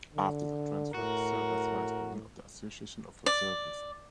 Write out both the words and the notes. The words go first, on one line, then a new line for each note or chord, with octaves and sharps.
After the transfer, he served as vice-president of the Association of Reservists.
D3
A2 F#4 A#4
D5